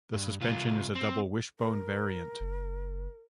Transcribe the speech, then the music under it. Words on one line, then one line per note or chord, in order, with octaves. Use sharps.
The suspension is a double wishbone variant.
G2
C2 F4
C4
A#4
F#1